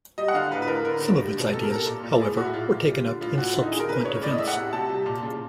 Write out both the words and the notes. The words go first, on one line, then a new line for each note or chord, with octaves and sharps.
Some of its ideas, however, were taken up in subsequent events.
G3 D#5
F#5
D3 F5
A2 B4
B4
A2 A#4
D3 A#4
D3
G3
B2
C3 A4
A#4
C3
A4
A#2
A#2
A2 G#4
A2 F#4
E4
A#2 F4
A#2
G3
D3
A2 F4
A2 F#4
D3 E4
D#4
D3 G#4
A#4
C#3 B4
C#3 C#5
A2 D5
D#5
A2 E5
F#5
C3
C3 A5
G3
A#2
C#3